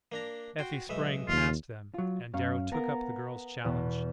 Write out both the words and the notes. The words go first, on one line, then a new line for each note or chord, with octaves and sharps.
Effie sprang past them, and Darrow took up the girl's challenge.
A#3 D4 A#5
F#4 G5 C6
B1 G#3 E5
D#2 F4
F#3 F4
F#2 F#3 C#4 F5
B3 A#4 A#5
E2 B2